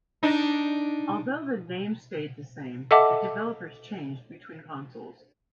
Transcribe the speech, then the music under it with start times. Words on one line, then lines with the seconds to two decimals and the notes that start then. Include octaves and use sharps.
Although the name stayed the same, the developers changed between consoles.
0.23 D4 D#4
2.91 A4 D#5 E5 F#5 A5 D6